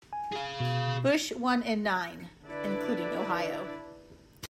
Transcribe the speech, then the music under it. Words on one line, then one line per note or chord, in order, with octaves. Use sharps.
Bush won in nine, including Ohio.
G#5
G#4 F5
B2
D3 D4 E4 B4 D5